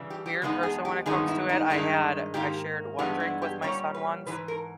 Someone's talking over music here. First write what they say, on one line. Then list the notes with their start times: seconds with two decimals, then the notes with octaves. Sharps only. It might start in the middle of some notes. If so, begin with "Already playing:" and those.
weird person when it comes to it, I had I shared one drink with my son once
Already playing: C#3 E3 G3
0.10 G4
0.26 G4
0.42 E2 C#3 G#3 B3 D#4
0.63 G#4
0.85 G4
1.06 G2 D#3 G#3 B3 D#4 G#4
1.28 E4
1.49 D#4
1.70 G2 D#3 G#3 D#4 E4
2.34 G#2 D#3 A#3 G4
2.99 G2 E3 G#3 B3 G4
3.20 E4
3.42 G4
3.62 A#2 G3 C#4 C#5
3.94 B4
4.26 G#2 E3 B4
4.48 A#4